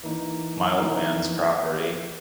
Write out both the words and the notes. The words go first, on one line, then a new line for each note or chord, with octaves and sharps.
my old man's property
E3 A#3 D#4
E3 A#3 D#4